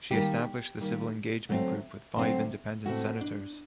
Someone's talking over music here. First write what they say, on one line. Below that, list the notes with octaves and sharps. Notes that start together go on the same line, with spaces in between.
She established the Civil Engagement group with five Independent Senators.
D#3 G3 A#3 G4
D#3 G3 A#3
D3 F#3 A3 C4
D3 F#3 A3 C4
A2 A3 C4 F#4
D4